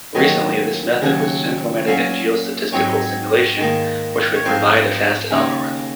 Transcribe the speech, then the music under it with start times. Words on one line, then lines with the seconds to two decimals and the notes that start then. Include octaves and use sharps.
Recently, this method was implemented in geostatistical simulation which could provide a fast algorithm.
0.15 D#2 D#3 F#3 C#4 D#5
1.01 D#2 C#3 F#3 C#4
1.87 A#2 F#3 C#4 F5
2.72 G#2 F#3 C4 D#4 C#5
3.58 G#2 D#3 A#3 D#4
4.35 C#5
4.45 G#2 F3 C4 D#4 C5
5.31 D#2 C#3 G#3 D#4